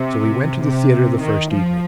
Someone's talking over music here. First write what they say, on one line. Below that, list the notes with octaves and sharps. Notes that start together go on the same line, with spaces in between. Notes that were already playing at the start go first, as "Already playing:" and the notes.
So we went to the theatre the first evening.
Already playing: C3
C3
D#3
F3